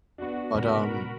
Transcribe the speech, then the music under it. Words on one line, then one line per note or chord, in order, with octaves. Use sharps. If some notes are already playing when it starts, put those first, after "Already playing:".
But, um,
B3 D4 F#4
A#2 C#3 G#3 F#4 A#4 B5